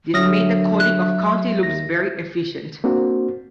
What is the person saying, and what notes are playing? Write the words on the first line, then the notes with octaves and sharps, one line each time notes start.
This made the coding of counting loops very efficient.
D3 F#3 E5 D#6 F6 A#6
F#6
D#2 A#6
A#3 C4 D4 F#4 C5